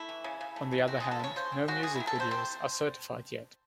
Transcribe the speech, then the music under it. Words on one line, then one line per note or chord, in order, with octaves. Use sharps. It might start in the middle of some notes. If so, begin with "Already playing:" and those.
On the other hand, no music videos are certified yet.
Already playing: A3 E4
E3
C#3
C#3
A3
E3
C4 F#4
G#3 G#4
A4
C#3 C#5
C#3 C5
C4
G#3 F#4
G#3 G#4
D#3 E4
A4
C3 C5
C4 C5